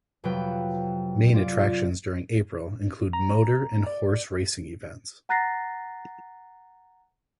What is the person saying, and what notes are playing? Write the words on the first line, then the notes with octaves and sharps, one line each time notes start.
Main attractions during April include motor and horse racing events.
F2 C3 F#3 B4 G5
F4 D5
A#5
D5
F#5 A#5 F#6 A6 A#6 C7